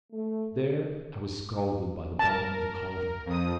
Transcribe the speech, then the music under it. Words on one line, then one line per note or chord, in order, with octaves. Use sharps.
There I was scalded by the bottom of the caldron.
A3
A#4 A5
F2 D#6